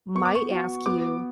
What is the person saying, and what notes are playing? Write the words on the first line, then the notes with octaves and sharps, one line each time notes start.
might ask you
B3 C#6
D6
C#6
F#4
B3 D6